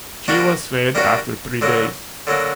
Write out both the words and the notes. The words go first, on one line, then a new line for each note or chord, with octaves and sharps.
She was fed after three days.
G3 A#3 D4 F#4
G3 A#3 D4 F#4
D3 F#3 A#3
D3 F#3 A#3